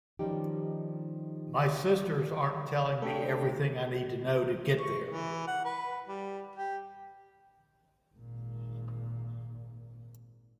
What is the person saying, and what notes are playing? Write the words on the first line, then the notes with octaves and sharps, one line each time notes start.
My sisters aren’t telling me everything I need to know to get there.
D#3 F3 G3 C#4 D#4 G4
A3 C#4 D4 G4 A4 G5
C#6
E3
F#5
B4
G3
G4
G#1 A#2